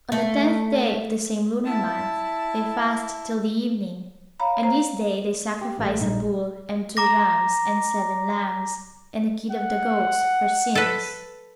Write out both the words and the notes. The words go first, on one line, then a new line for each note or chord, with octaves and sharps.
On the tenth day of the same lunar month, they fast till the evening; and this day they sacrifice a bull, and two rams, and seven lambs, and a kid of the goats, for sins.
A3
E4 A5
C#5 F5 A#5 B5
C5 A#5
G4
A1 A3
A#1 G3 D#4
A#5 D6 A#6
F#5
A4 B4